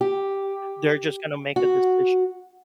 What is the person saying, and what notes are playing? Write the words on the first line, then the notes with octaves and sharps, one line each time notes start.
They're just gona make a decision
G4
F#4